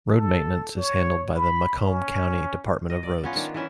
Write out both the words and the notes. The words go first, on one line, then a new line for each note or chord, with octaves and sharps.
Road maintenance is handled by the Macomb County Department of Roads.
A4
C#5
B5
C#4
D#5
D5
B3 C#4 F4
D#3 D4
E3 B3 C#4 E5